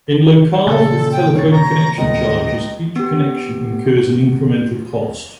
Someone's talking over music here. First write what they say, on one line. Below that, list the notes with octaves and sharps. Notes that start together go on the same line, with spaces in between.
In locales with telephone connection charges, each connection incurs an incremental cost.
A#2 C#3 A4
G5
D#3 C#5 A6
C#5 A#5
D#1 C#2 D#5
B3 G4